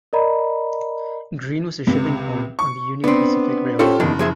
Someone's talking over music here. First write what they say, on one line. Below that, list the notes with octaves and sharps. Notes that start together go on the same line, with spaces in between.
Green was a shipping point on the Union Pacific Railroad.
A#4 D5 D#5 A#5 B5
C#2 C3
C#6
B3 C4 D4
C#4 F4 G4 A4 C5 F#5
F#1 E2 D#3 D4
F3 G#4 E5